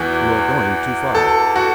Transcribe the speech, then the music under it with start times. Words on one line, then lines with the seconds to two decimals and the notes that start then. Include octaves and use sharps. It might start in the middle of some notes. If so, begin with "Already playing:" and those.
You are going too far!
Already playing: E2 E3 F#4
1.15 A4
1.56 F#4